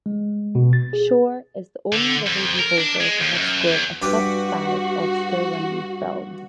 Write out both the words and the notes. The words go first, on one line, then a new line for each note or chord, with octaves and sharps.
Shore is the only living composer to have scored a "Top Five" Oscar-winning film.
G#3
B2
A6
G#4
D3
F2
A#4
D4
G#3
D#2
F#2
E2
G2 F#4 G4 B4